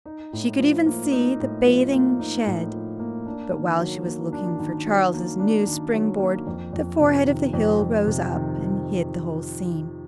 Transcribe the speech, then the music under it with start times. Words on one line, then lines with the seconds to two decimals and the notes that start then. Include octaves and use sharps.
She could even see the bathing-shed, but while she was looking for Charles's new springboard, the forehead of the hill rose up and hid the whole scene.
0.05 D#4
0.33 A2
0.59 F3
0.86 A#3
1.12 D#4
1.40 A2
1.66 F3
1.92 A#3
2.20 D#4
2.46 A2
2.73 F3
2.99 A#3
3.26 D4
3.52 D#3
3.79 F#3
4.06 A#3
4.33 D4
4.59 D#3
4.86 F#3
5.13 A#3
5.39 D4
5.67 D#3
5.92 F#3
6.19 A#3
6.47 F2
6.73 F2
7.00 C3
7.26 D#3
7.53 F2
7.80 F2
8.07 C3
8.34 D#3